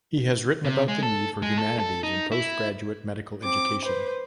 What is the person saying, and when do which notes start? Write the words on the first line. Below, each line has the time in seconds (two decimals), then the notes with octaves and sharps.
He has written about the need for humanities in postgraduate medical education.
0.65 C3
0.88 G#3
1.03 A4
1.42 G#3
1.58 A4
1.79 A4
2.03 D#4
2.32 E4
3.42 C4 D6
3.84 B4 C5